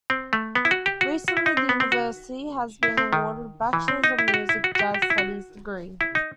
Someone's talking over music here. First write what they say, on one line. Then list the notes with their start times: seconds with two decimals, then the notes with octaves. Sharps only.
Recently the university has been awarded a bachelors in music- jazz studies degree.
0.10 C4
0.33 A3
0.55 B3
0.65 E4
0.71 F#4
0.86 G4
1.01 F#4
1.28 F#4
1.37 E4
1.46 D#4
1.57 C4
1.69 B3
1.80 C4
1.92 F#4
2.83 E4
2.97 C4
3.13 D#3
3.73 E3
3.88 C4
4.04 D#4
4.19 E4
4.28 G4
4.34 F#4
4.49 E4
4.64 F#4
4.75 F#4
4.79 G4
4.94 G4
5.02 F#4
5.10 E4
5.18 F#4
6.01 E4
6.15 D#4